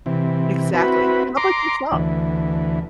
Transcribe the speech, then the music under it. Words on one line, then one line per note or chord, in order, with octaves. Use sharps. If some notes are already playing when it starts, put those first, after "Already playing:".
Exactly. How about yourself?
C3 E3
C4 E4 F#4 B4
A#5 C6 D6
D2 E3